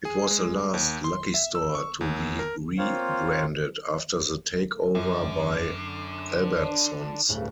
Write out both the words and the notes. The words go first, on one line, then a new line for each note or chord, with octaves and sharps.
It was the last Lucky Store to be re-branded after the takeover by Albertsons.
G#4
G#3
D#2
C6
E5
E6
C#6
D#2
A#4
A#3 C4 F4 C5 C#5 F5
F#2 D3
D4
D1 G2 C#3 A3